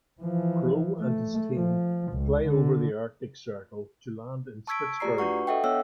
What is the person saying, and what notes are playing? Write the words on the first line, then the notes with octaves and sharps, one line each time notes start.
Crowe and his team fly over the Arctic Circle to land in Spitzbergen.
E3 F3
A3
F3
C#2
D3
A5 C#6 E6 G#6 B6 D7
A3 F4 G4 D5 A#5 C7
D4 F#4 B4 F#5 C#6
A4 D#5 E5 F#5 G5
B3 D4 A4 C#5 F5 E6